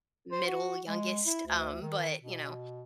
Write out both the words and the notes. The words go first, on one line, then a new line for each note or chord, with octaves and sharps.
middle youngest, um, but, you know,
C5
F#4
G#3
E4
D2
D#3
B2